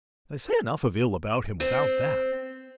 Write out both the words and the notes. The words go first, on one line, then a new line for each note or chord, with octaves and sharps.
They say enough of ill about him without that.
C4